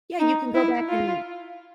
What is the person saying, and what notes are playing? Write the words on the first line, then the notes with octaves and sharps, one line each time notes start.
Yeah, you can go back and
D#4
E4
F4